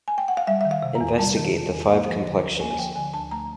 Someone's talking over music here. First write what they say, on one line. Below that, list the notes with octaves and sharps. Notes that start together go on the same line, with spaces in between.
Investigate the five complexions.
G#5
G5
F#5
F5
G3 E5
D#3 E5
F5
C3
A#5
E2
G3 A5
D#3
C3
E2
A#3
F3
D3
D2
A#3 G#5
G#5
F3 G5
D3 G#5
D2 A5
A3 A#5